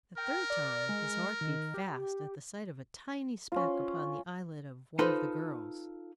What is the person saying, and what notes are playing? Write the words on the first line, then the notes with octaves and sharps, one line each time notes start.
The third time his heart beat fast at the sight of a tiny speck upon the eyelid of one of the girls.
A#4 G5
D5
G#3
D#3
G4
C#4 F4
D#4 F4 A4 B4 C5